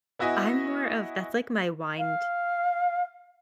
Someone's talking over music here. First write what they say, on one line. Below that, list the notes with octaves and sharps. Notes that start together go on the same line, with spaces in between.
I'm more of that's like my wind
B3 E4 F#4 D#5 E5 G#5
F5